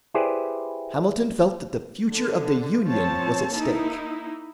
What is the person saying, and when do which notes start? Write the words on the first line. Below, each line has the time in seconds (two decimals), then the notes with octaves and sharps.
Hamilton felt that the future of the Union was at stake.
0.14 E4 G4 G#4 B4 C5 D5
2.11 D3
2.87 F3 C4 C#5 A5
3.52 A#3 D#4 E4